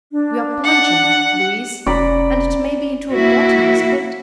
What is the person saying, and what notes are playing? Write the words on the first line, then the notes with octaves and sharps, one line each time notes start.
"We're plunging, Louise; and it may be into a bottomless pit."
D4
F#5
F1 C#4 D5 A#5 B5
A#3 E4 F#4